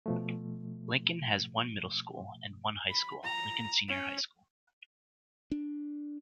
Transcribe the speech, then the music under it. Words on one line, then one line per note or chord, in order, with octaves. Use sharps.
Lincoln has one Middle School, and one high school, Lincoln Senior High School.
B2 F3 A3
B5
A#5
C#4
D4